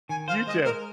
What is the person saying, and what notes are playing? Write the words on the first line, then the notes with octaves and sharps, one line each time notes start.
You too.
D#3 G#5
C5 F5
G#3 D#5
G#3 A#4